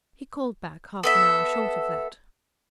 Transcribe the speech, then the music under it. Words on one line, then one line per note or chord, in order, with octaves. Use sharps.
He called back half an hour short of that.
B3 A4 E5